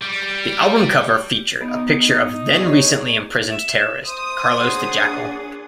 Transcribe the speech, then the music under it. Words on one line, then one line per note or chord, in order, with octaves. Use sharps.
The album cover featured a picture of then-recently imprisoned terrorist Carlos The Jackal.
G3
B3 D#4
G#4 C#5
E5
C5 D#6
A#2 D4 G#4 C#5 F#5